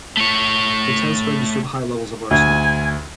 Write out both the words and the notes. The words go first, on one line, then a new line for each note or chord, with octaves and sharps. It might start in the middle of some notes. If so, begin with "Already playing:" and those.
The test registered high levels of arsenic.
A3 C#5
D2 G#5